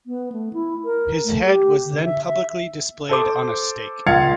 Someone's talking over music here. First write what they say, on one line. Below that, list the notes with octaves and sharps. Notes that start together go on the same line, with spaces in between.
His head was then publicly displayed on a stake.
B3
A3
E4
A#4
A3
G4
D3
E5
E5
A4 C5 D6
C#2 A#2 F5 G#6 A6 C#7